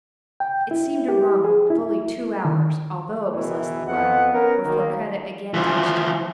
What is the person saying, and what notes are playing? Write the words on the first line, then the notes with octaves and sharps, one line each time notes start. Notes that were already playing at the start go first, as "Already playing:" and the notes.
It seemed to Ronald fully two hours, although it was less than one, before Kreta again touched him.
G5
E4
G4
G#4
E4
D#3
E2 B2 D#3 E3
F2 B3 D#5 F#5
B3 C#4 A#4
D#3 F#3 A#3
E3 F3